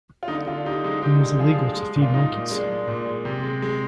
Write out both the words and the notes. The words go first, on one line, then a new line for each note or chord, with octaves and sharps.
It is illegal to feed monkeys.
F4
D3 D#4
D3 D4 F4
D3 D#4 G4
G#3 D#4
D3 D#4 G4
D3
F3 F4 G#4
G#3
G#3
A#2
F4
A#2 D#4
A#2
G#3 D4
G#3
A#2
G#3
C3
G#3
G#3